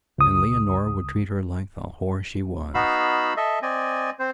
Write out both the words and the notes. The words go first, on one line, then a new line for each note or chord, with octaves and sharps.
And Leonora would treat her like the whore she was.
C#2 D#6
B3 D#4 F#4 F5 B5 E6
A4 D#5 E5
C4 D5 D#5 G#5
C4 C5